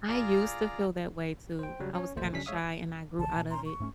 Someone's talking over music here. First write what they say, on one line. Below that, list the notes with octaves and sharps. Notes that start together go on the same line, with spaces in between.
I used to feel that way too. I was kinda shy, and I grew out of it,
F4 G#4 D5 A#5
C5 G5
C#3 F#3 G3
C#4 C#5
A1 D#2 A#2 A3 C5
C#3 F#3 C#4 D4 B6
G#3 C#5 E5 F5 D#6
B1 C#3 E3 A5
A#2
C#4 A#5 C6
C#6
G#2 A3 C#4